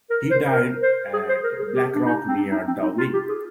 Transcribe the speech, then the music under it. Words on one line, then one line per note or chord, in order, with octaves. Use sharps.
He died at Blackrock, near Dublin.
A#4
C5
A#4
C5
G#4
C5
A#4
G#4
G4
D4
D#4
C4
D4
D#4
C4
D#4
F4
G4
G#4